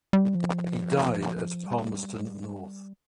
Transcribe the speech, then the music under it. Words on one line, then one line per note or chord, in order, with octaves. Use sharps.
He died at Palmerston North.
G3
F3
G3